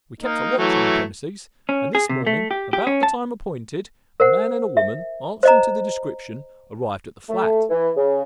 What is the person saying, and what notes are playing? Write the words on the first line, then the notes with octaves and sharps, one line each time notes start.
We kept a watch on the premises, and this morning, about the time appointed, a man and a woman, answering to the description, arrived at the flat.
A#3 D#4
E3 F#3 A3
C#4
G#4
C3
A3
G4
G4
C#4
A5
A#4 C5 F#5
E5
C5 D#5 A#5
A3
E3
C#3